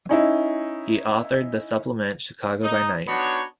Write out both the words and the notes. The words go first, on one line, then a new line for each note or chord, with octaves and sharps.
He authored the supplement "Chicago by Night".
C#4 D#4 E4
D#4
B3 D4 D#4 F#4 C#5